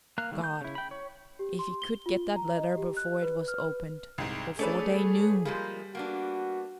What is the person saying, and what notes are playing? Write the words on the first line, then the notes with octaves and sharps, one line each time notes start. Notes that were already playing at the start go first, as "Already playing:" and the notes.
God, if he could get that letter before it was opened--before they KNEW!
A#3 F5 A#5 F#6
D#3 G3 A3 A#3
G6
C#3 E4
G5 B5
C#5
G4
C6
G7
F4
A#5
D#5
G4
F#6
B4
F6
B4
C2 G#2
A3 C#4 D4 G#4 A4 B4 D5
F3 G3 G#3 A#3
A#3 B3 D4 F#4